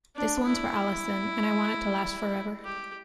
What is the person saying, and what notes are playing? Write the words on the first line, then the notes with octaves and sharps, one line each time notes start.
This one's for Allison, and I want it to last forever!
D4
E4
G4